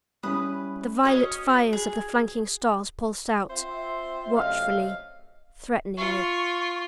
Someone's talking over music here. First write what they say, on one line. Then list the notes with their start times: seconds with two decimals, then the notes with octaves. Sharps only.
The violet fires of the flanking stars pulsed out--watchfully, threateningly.
0.23 G3 C#4 E4 B4 D#6
1.03 C#4 F#4 C#5 D#5 D#6
1.73 G#4
3.49 C4 F4 C5 E5
4.35 F#2 C3 A3 D#5 F5
5.98 F4 C#6